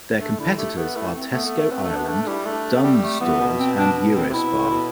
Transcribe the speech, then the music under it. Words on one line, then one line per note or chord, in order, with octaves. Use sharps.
Their competitors are Tesco Ireland, Dunnes Stores and Eurospar.
A3 D4
D3 E4
A3 G4
B3 A4
A3 E4
C4
A3 B3
A3
A3
B3 C4
A3
D4
B3
A3 D4
D4
G3 E4
A3 D4
B3
G3 C4
A3
E3 B3
B2
C4
D4
C4
C3
B2 E4
A2
B2